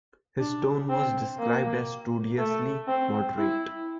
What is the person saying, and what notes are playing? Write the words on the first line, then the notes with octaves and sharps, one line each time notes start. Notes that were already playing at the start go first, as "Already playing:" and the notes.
His tone was described as studiously moderate.
D4
C4
A#3
A3
C4
E4